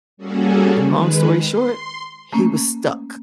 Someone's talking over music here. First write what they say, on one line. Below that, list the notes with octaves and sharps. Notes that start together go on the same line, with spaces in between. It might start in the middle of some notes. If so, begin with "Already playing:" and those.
and long story short, he was stuck.
G3 A#3 C#4 F#4 G#4 A4
D#3 G#3 B4
C6
A3 A#3 C#4